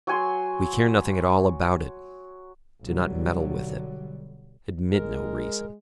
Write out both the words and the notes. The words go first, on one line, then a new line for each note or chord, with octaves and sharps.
We care nothing at all about it, do not meddle with it, admit no reason.
F#3 F#4 G#5 C6
B1 D3 F#3 G3
G#3 A#4